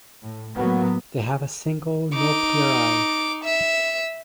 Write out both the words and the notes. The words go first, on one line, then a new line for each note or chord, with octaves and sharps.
They have a single naupliar eye.
A2
A2 F#3 A#3 B3
D#4 D6
E5